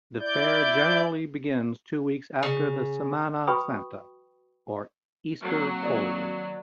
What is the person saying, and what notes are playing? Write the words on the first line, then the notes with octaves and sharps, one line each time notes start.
The fair generally begins two weeks after the Semana Santa, or Easter Holy Week.
E4 D5 G6
C#3
F#4 B4 G5 B5 C#6 D#6
F#3 A#3 C4
D#2 D5 D#5